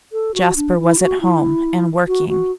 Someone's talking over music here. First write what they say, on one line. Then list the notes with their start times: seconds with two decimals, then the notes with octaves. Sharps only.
Jasper was at home, and working.
0.12 A4
0.35 F#4
0.56 D4
0.78 E4
0.99 F#4
1.21 E4
2.07 F#4
2.29 F#4